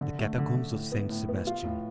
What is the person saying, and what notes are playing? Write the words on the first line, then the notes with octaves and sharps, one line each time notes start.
The Catacombs of Saint Sebastian.
D3
A3
D3
D3
A2
B3
A2
B3
F4
A2